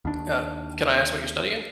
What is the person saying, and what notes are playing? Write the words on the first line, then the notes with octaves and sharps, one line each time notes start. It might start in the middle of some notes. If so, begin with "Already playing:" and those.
Uh, can I ask what you're studying?
D#2 D4